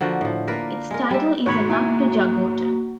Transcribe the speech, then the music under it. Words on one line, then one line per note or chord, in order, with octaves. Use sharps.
Its title is a nod to Jugoton.
D3 F3 A#3 F#4
A2 F3
A#3 A#4 B4 D5
G#3 A#4
G3 E5
G#2 B2 D#3 F#4 C#5 B5
A#3 E4 G#5